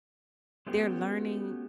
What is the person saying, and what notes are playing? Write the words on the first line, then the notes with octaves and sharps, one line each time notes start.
They're learning
G#3 A3 B3 C#4 F#4 G4